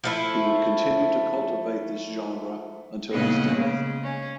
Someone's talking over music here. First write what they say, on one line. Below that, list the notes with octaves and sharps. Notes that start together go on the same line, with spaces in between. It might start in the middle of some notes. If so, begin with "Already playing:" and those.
He would continue to cultivate this genre until his death.
F3 A3 E4
A#2 C#3 A3 B3 D#5 F#5
C#3 G#3
C#4